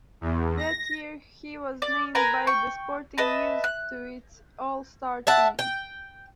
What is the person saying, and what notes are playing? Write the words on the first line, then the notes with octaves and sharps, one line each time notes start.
That year, he was named by "The Sporting News" to its All-Star Team.
E2
A#6
D5
A#4 B4 G#5 A#5
G5 C#6
B4 D#5 E5 A5
F#6
E5 F#5 A5
G5